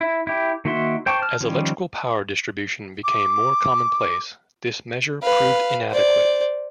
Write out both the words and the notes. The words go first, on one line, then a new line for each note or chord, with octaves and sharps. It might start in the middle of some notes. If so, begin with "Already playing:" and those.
As electrical power distribution became more commonplace, this measure proved inadequate.
E4
E4 G4
D#3 A#3 F#4 E5 C6
C5 G5 A5 C#6 D6
A5 F6
D#3 F3 G3 C#4
D6
B4 F5
C5 D5